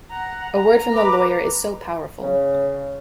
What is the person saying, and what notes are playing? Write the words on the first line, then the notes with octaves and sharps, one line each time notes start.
A word from the lawyer is so powerful.
F#5 A#5
A#5
B4 D6
C#3